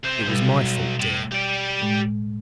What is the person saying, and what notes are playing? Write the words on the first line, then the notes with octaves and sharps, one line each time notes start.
'It was my fault, dear.
C3 C5
B1 B2 G3
A2
G4 D5
A2 G#3